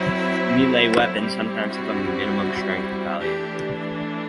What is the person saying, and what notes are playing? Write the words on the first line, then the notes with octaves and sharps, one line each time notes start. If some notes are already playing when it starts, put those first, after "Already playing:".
Melee weapon sometimes have a "Minimum Strength" value.
Already playing: F#3 C4 E4
E5
A4
G3 C4 E4 G4
F#4
E3 A3 D4 G4